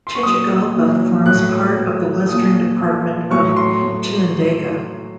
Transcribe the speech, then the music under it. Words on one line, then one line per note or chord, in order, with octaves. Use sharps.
Chichigalpa forms part of the Western department of Chinandega.
C6
C#6
A#2 F#3 D#6
A#2 F#3
A2 F#3 F#6
A2 F#3
A#2 F3 D#6
A#2 F3
A2 F#3 C#6
C6
A2 F#3